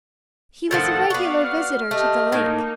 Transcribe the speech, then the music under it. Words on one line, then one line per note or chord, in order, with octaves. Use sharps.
He was a regular visitor to the lake.
A2 D#3 F3 A4 F#5 A6
B3 F#4 D5 F5 F#5
F6
A3 G4 D#5
A2 A#3 D#4